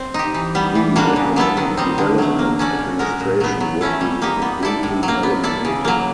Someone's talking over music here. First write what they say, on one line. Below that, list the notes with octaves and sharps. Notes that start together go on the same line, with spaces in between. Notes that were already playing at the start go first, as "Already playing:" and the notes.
The Economic Development Administration would be completely eliminated.
Already playing: C4
D#4 G4
E3
G3 B3
E3
G3 A#3 D4 F#4
C#3
F#3 B3 E4 A4
D#3
G3 C4 D#4
D3
F#3 A3
A#3
C#4 F#4 A4 D5
B2
G#3 C#4 F#4 A#4
A#2
F#3 B3
F#3
A3 C#4 E4 A4
G3
A#3 D#4 G4
B3
E4 A4 D5
A2
F#3
A#3
B3
E4 A4 D5
C#3
F#3 A#3